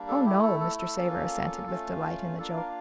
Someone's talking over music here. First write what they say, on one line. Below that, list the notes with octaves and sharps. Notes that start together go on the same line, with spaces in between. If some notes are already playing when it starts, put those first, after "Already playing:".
"No, no!" Mr. Savor assented, with delight in the joke.
Already playing: G3 A#3 D4
A4
A3 E4 G4
A4
A4
A4
A#3 C#4 F4
A3 C#4 F4
A#3 D4 F4 A4
A#4